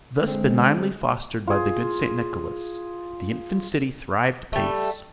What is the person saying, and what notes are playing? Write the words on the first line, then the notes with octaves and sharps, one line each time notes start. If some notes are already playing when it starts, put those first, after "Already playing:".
Thus benignly fostered by the good St. Nicholas, the infant city thrived apace.
D3 G#3 C4
F4 G#4
G3 A3